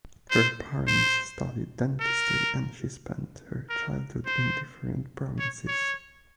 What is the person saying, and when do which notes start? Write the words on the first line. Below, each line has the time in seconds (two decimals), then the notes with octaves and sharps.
Her parents studied dentistry and she spent her childhood in different provinces.
0.31 C5
0.87 C5
2.00 A#4
3.69 A#4
4.26 C5
5.39 C#5
5.67 C#5